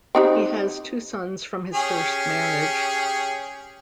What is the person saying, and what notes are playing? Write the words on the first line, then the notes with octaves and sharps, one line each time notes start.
He has two sons from his first marriage.
C4 D#4 G4
C#4 G4 G#4